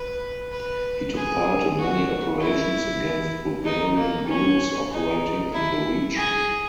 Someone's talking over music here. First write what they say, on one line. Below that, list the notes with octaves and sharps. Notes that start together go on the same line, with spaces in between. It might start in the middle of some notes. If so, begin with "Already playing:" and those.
He took part in many operations against Bulgarian groups operating in the region.
Already playing: B4
B4
G#4
F#4
E4
D#4
A#3
C#4
D#4
E4
G#4